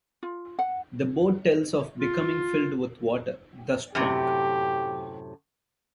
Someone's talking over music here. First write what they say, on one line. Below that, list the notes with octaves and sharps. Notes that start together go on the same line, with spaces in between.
The boat tells of becoming filled with water, thus drunk.
F4
F#5
F4
F#2 A2 C3 G4